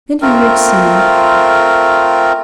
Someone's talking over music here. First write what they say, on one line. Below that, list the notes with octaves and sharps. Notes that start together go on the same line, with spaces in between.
Then he heard singing.
A3 C4 F4 A#4